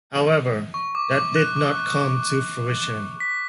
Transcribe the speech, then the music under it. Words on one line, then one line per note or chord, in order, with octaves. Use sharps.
However, that did not come to fruition.
C#6
D6
D6
F#6
D6
B6